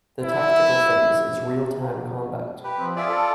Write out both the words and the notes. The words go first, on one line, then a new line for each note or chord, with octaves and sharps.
The tactical phase is real-time combat.
E4 E5
G4 B4
F3 C4
F4 G#4 D5 E5
A4